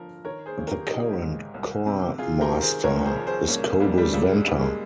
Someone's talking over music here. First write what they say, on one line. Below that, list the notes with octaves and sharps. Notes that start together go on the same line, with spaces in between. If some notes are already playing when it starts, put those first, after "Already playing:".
The current choir master is Kobus Venter.
Already playing: G1 F3 A#4
D#3 A#4 C#5
G#4 C5
G#1
G4 A#4
G#1 D#4 G4
G#2
C2
C3
C3 F4 G#4
G4 A#4
D#3
G#4 C5
C2 A#4 C#5
G#4 C5
F3
G#4 C5
C2 A#3 C#4
C2 G3 A#3
G3
C#2 G3
G#3
C#2 G3 A#3
G#3